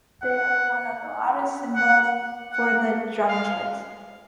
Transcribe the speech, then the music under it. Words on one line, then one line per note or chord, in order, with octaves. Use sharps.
They are one of the loudest cymbals for the drum kit.
F#5
F#5
F#5
F5